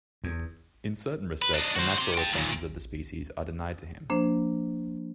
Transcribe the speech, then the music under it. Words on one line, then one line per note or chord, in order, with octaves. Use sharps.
In certain respects the natural responses of the species are denied to him.
E2
B4
D4 D#4
F#4 C5
G4 C6
G5 A5
A#2 D#3
F3 A#3 D4 C5